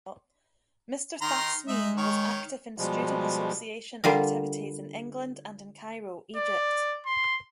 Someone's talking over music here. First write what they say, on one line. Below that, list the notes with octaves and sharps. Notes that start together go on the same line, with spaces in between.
Mr. Thasmeen was active in student association activities in England and in Cairo, Egypt.
D#3 A#5 C6
G#3 D#4 E5
D#3 C#5
B2 F3 G3 G#3
D3 G3 F4 A#4
D5
C6